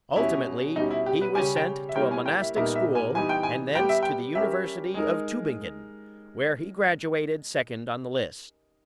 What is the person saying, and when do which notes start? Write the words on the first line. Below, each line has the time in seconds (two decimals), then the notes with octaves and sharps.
Ultimately he was sent to a monastic school and thence to the University of Tuebingen, where he graduated second on the list.
0.16 B2 G3 C#4 E4
0.76 B2 G3 C#4 D#4
0.91 E4
1.06 G4
1.21 B4
1.35 C#3 G3 C#4 G4 G#5
1.56 G5
1.89 E5
1.95 G3 A#3 E4 A#4 C#5 G5
2.11 G#5
2.26 G5
2.41 E5
2.56 A#2 G3 B3 D#4 A#4 E5
2.75 E5
2.95 G#5
3.15 E3 G3 B3 D#4 G#5
3.29 G5
3.43 G#5
3.75 G3 B3 G4 G5
3.89 E5
4.03 G5
4.35 G3 C#4 G4 A#4 E5
4.94 G#3 D#4 A#4